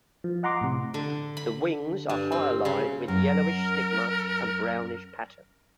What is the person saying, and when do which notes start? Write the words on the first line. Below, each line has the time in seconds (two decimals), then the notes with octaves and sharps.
The wings are hyaline with yellowish stigma and brownish pattern.
0.24 F3
0.43 D#5 F#5 A#5 C6 D6
0.61 A2 C3
0.94 D3
1.37 B5
2.09 G2
2.32 C4
2.65 C#3
3.08 F#2 A#4